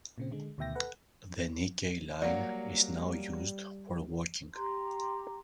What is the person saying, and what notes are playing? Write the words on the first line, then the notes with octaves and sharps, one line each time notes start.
The Nickey Line is now used for walking.
A#2 C#3 C4
D3 G#3
D2 B2 D#3 E5 G5 A#6
A4 B4 F#5
F#3 G3 A#3 D5 F5 F#5
G4 A#5 C6